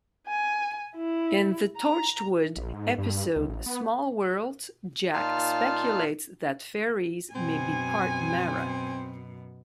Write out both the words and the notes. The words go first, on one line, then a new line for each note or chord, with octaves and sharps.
In the "Torchwood" episode "Small Worlds", Jack speculates that "fairies" may be "part Mara".
G#5
E4
A#5
A#1
G#2
G2
C#2
A1
B3
A#2 D#4 F4 F5 A5 F6
F#2 B2 C4 G#5